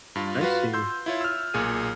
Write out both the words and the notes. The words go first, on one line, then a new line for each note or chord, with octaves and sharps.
I see.
G2 F4
F4 F#4 B4 F5
C6 E6 G6
E4 F4 C#5
E6 F6
B1 A#2 G#4 D#7